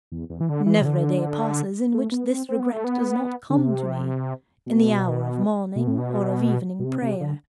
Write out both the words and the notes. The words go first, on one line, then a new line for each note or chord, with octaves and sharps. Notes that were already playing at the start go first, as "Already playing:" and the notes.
Never a day passes in which this regret does not come to me, in the hour of morning or of evening prayer.
E2
E2
E3
D3
E3
C3
D3
A3
B3
C4
C4
B3
A3
B3
D3
C3
B2
B2
A2
B2
B2
C3
C3
D3